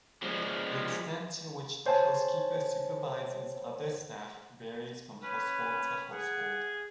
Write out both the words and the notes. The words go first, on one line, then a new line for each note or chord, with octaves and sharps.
The extent to which the housekeeper supervises other staff varies from household to household.
F3 G#3
C5 C#5 G#5 A5
C#4 B4
G#4 F#5